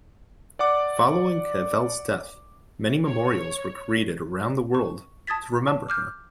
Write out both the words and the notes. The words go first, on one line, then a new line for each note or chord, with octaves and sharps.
Following Cavell's death, many memorials were created around the world to remember her.
D5 F#5 D6
C#5
C#6
A5 D#6 G#6 A6 B6
A5
D6 F6 G6